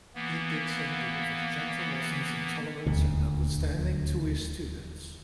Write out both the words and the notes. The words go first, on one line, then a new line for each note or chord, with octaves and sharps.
Pete Dixon delivers gentle lessons in tolerance and understanding to his students.
E3 A#3 B3
D#1 D2